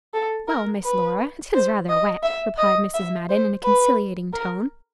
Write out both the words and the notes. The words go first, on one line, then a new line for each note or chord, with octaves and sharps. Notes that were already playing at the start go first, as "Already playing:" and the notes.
"Well, Miss Laura, it is rather wet," replied Mrs. Madden, in a conciliating tone.
A4
A#4
B4
C5
D#5
E5
D#5
E5
C5
B4
A#4